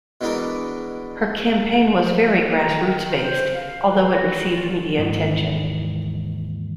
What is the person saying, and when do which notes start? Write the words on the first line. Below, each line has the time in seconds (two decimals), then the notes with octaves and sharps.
Her campaign was very grassroots-based, although it received media attention.
0.21 B2 E3 G#3 D4 A#4
2.46 A#3
2.62 A#5
2.82 D#3
3.11 C5
3.54 F5
3.85 E3
4.11 F#4
4.51 F4
4.97 D#2 G#2 D#3 E3